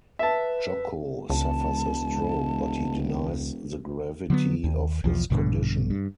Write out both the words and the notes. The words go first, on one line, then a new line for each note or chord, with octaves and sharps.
Jocko suffers a stroke, but he denies the gravity of his condition.
B4 E5 A5
E1 C#2 A5
D3 F#3 A#3 B3
D#2
B1 E2 F3
A#1 G2 B2 D3
G2